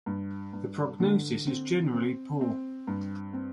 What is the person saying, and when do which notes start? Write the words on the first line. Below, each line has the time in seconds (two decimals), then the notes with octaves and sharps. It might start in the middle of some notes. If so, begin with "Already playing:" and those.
The prognosis is generally poor.
0.06 G2
0.53 G2
1.00 D3
1.47 C4
1.93 C4
2.41 C4
2.87 G2
3.33 C4